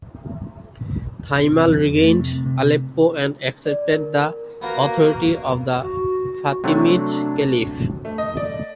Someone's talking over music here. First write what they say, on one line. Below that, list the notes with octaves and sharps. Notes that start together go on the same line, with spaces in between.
Thimal regained Aleppo and accepted the authority of the Fatimid Caliph.
C3
F2
A3
C3
C3
D5
A#4
A#3 B3 F#4 A#4
F#4
C3 F#3 A3 D4
A3
D#5
D5